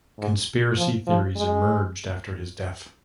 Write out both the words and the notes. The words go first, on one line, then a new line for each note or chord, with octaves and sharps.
Conspiracy theories emerged after his death.
G#2
F3
F3
G#3